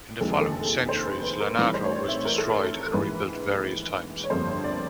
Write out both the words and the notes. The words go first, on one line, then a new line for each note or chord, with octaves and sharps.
In the following centuries Lonato was destroyed and rebuilt various times.
F1 D#2 D3 F3 G#3 A4
G#4
A4
C5
B4
B4
A#4
A2 E3 G3 C4 D#4 B4
C5
C#5
D5
E5
A#4
A4
A#4
A#1 G#2 E3 G#3 B4
C#5
G1 F2 D3 G3 A#3 C5
C#5
D5